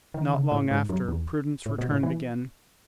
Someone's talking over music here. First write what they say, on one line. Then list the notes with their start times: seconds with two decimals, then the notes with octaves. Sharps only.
Not long after, Prudence returned again.
0.14 D#3
0.34 C#3
0.52 A2
0.71 G#2
0.89 F#2
1.08 E2
1.66 A2
1.78 B2
1.91 A2
2.03 E3